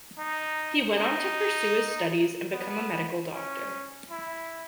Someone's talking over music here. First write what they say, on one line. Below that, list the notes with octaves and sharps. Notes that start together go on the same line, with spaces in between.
He went on to pursue his studies and become a medical doctor.
D#4
D#4
B3
C#4
E4